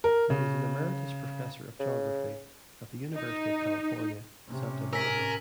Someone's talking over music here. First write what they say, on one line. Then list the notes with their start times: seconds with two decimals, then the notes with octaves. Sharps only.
He is an Emeritus Professor of Geography at the University of California, Santa Barbara.
0.04 A#4
0.30 C#3
1.80 C#3
3.15 D#4
4.47 A2 C3 C#4
4.93 A#4 G#5 E6 B6